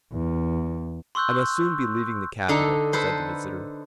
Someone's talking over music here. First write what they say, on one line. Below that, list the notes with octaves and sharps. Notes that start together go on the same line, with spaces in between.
"I must soon be leaving the capital," said the visitor.
E2
C6 C#6 E6 F#6 G6
D3 D#4 A4
A4 B4 C5